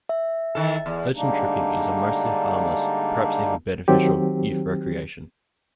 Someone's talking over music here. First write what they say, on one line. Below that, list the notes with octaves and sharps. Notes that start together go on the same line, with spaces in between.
Legend-tripping is a mostly harmless, perhaps even beneficial, youth recreation.
E5
D#3 E3 A4
E2
D3 G3 G#3 A#3 D4 D#4
D#3 F#3 C4 G4